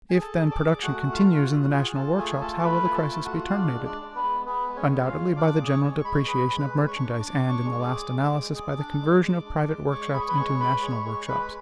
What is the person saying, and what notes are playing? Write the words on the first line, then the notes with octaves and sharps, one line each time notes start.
If, then, production continues in the national workshops, how will the crisis be terminated? Undoubtedly, by the general depreciation of merchandise, and, in the last analysis, by the conversion of private workshops into national workshops.
G#4 G#5
A4 A5
G#4
D5 D6
G#4
A3 F#4 F#5
A3
F4 F5
F4
F5
F#4 F#5
F4
G#4 G#5
F4 A4 A5
A3 G#4 G#5
G#5
F4 A4 A5
A5
A3 B4 B5
F4 G#5
A4 A5
A3
F#4 F#5
F4
F5
G#3 D4 D5
G#3
D4 D5
D4
B3 B4
G#3
B3 G#4 B4
G#3
C#4 C#5
G#3
F4 F5
G#3
D4 D5 D6
G#4
C#5 C#6
G#3
C#6
G#3 B5
C#5 C#6
G#4 B4 B5
G#3
B4 B5
G#3
C#5 C#6
D4
C#6
D4 D5 D6
D4
C#5 C#6
G#3
C#6
D5 D6
G#4
G#3
G#3
G#4
D4
G#3
G#3
D4
G#3
G#3 C#5 C#6
G#4 B5
C#6
B4 B5
G#3 C#5 C#6
G#3 B4 B5
G#3 C#5 C#6
G#3 C#5 C#6
G#3 B4 B5
B5